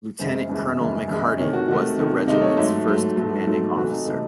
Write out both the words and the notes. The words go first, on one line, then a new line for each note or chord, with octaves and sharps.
Lieutenant-Colonel McHardy was the Regiment's first commanding officer.
F#2 C#3 E3 G#3 C5
F#2 C#3 E3 G#3
F#2 C#3 E3 G#3
F#2 C#3 E3 G#3
C3 D#3 A3 C#5
F#4
C3 D#3 A3 F#4
C3 D#3 A3
C3 D#3 A3 D#4
C#5
G#2 F#3 A3 E5
G#2 F#3 A3
G#2 F#3 A3
G#2 F#3 A3
C3 E3 A3 F#4
D#4
C3 E3 A3 D#4